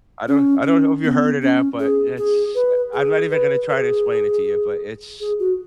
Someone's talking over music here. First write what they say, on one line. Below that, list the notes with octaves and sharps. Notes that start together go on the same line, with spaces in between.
I don't I don't know if you heard of that, but it's, eh I'm not even gonna try to explain it to you, but it's,
C#4
C#4
B3
C#4
G#4
G#4
B4
G#4
B4
B4
G#4
G#4
F#4